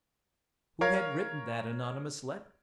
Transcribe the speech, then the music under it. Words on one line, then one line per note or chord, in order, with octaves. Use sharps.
Who had written that anonymous letter?
A#4 C#5 F5 G#6